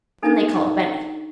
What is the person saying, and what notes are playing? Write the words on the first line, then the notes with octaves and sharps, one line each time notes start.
Then they called Benny.
D4 D#4 A4